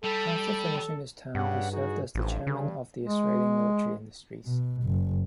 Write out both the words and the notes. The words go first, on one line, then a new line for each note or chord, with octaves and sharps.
After finishing his term, he served as the Chairman of the Israeli Military Industries.
G3 A4
G2 C#3 G4 F#5
D#4 F#4 G#4
A1 G2 D3 F3
G2 C#3 G3
G#3
B2
F#1